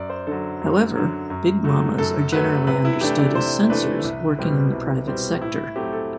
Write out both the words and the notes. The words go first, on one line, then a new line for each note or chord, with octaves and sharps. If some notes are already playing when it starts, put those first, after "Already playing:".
However, big mamas are generally understood as censors working in the private sector.
Already playing: F#2 D5
C5
D3 F#3 A4
F#2
D3 F#3
F#2
F#3 A3
F#2 A4
F#3 A3 B4
C3 B4
E4
E3 A3 D4 G4
D5
C3 C5
E3 A3 D4 B4
C2
B2 G3 C4
C2
B2 G3 C4
A2 E4
F#3 A3 C4 G4
A4